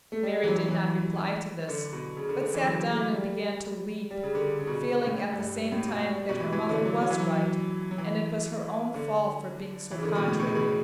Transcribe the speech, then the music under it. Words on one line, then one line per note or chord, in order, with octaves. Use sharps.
Mary did not reply to this, but sat down and began to weep, feeling at the same time that her mother was right and it was her own fault for being so contrary.
A3
G3
E3
F#3
F#3
E3
D3
B2
C#3
D3
D3
E3
F#3
A3
G3
G3
C#3
D3
C#3
B2
C#3
B2
A2
G2
A2
B2
G3
G3
B2
E3
E3
D3
F#3
F#3
E3
F#3
F#3
E3
D3
E3
C#3
D3
B2
A2
B2
C#3
B2